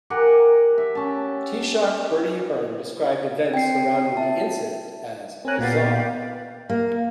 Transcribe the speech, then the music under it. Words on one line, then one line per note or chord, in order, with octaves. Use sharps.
Taoiseach Bertie Ahern described events surrounding the incident as "bizarre".
G4 A#4 F#5 G#5
E5
C#4 A5
C4 G5 C7
E5 A5
C4 A#4 C#5 G#5 F#6
A#2 B3 G4 D5 F5
A#3